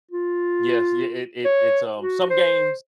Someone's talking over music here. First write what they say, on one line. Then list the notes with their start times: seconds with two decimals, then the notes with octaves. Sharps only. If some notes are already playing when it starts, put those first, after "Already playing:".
Yes, yeah, it it it's, um some games
0.11 F4
1.45 C#5
2.00 F#4
2.30 C5